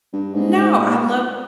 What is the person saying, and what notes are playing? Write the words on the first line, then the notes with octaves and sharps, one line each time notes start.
No, I love
G2
G#2
G#2
A#2